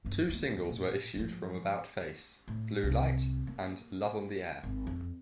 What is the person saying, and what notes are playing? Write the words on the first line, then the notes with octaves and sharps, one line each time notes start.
Two singles were issued from "About Face": "Blue Light", and "Love on the Air".
G2 C#4
D#2 B3
A#2
G#2 F3
A2
C2
A#3
G#1
F2